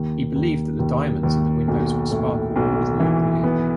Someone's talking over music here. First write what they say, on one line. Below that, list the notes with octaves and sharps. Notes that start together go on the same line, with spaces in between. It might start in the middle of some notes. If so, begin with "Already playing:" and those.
He believed that the diamonds in the windows would sparkle all the more brilliantly.
Already playing: D#2
D#2
D#2
D#2
B1
A2
B1
E3
B3